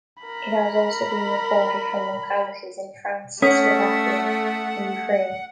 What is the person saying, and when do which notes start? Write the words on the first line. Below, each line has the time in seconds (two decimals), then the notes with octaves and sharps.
It has also been reported from localities in France, Slovakia and Ukraine.
0.23 A#4 B5
3.42 A3 C#4 A4 F#5 D#6 B6